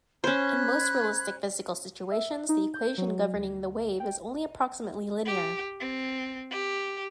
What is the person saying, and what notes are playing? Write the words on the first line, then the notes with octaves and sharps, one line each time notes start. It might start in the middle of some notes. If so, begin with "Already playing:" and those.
In most realistic physical situations, the equation governing the wave is only approximately linear.
C#4 C5 B5 F#6 G#6
E5
D#4
G6
F#3
D2
G5
G4
C4
G4